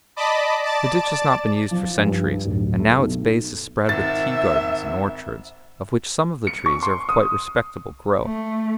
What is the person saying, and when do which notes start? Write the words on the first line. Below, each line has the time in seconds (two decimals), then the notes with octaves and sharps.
The ditch has not been used for centuries, and now its base is spread with tea-gardens and orchards, of which some of the trees are of quite respectable growth.
0.16 D5 D#5 A5 B5 D6
0.63 D5 A5 D6 A6
1.71 F3
1.98 G2
2.45 D1
2.80 A3
2.97 B1
3.89 G#1 E5 A6
6.47 C#7
6.66 C#6
6.83 C6
7.09 D#6
8.24 A3